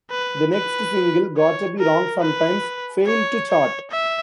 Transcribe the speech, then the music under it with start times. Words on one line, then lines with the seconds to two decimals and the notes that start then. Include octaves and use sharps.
The next single, "Gotta Be Wrong Sometimes", failed to chart.
0.10 B4
0.53 B4
1.38 C#5
1.79 A#4
2.21 B4
3.07 C#5
3.50 C#5
3.91 E5